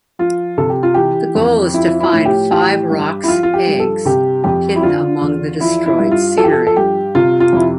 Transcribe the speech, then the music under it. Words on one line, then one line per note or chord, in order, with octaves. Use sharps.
The goal is to find five Roc's eggs hidden among the destroyed scenery.
F3 F4
C3 A4
G4
F4
E3 G4
F2
F3 E4
E4
A2
G4
E3 G4
G2
E4
F3 F4
F4
G4
G2
A4
C3 G4
F2 G4
E4
D3 F4
E2
F3 E4
E4
G2
F4
F3 A4
G4
A4
A4
G2 G4
C3 F4
F4
F2 E4